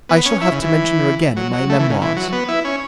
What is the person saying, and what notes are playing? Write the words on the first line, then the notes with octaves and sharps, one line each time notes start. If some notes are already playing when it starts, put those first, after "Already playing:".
I shall have to mention her again in my Memoirs.
B3
C#4
E4
C#3
E3
F#3
F#3
A3
E3
C#3
E3
F#3
B3
E4
C#4